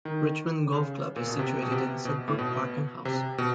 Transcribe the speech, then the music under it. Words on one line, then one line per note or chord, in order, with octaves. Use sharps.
Richmond Golf Club is situated in Sudbrook Park and House.
D#3
C#3
A#2
B2
C3
B2
C3
B2
A2
B2
C3
B2